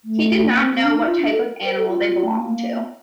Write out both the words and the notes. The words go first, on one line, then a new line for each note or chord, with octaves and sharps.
He did not know what type of animal they belonged to.
A3
A#3
C4
C4
D4
D#4
F4
D4
A4
A#4
A#4
C5
A4
F4
A3
A#3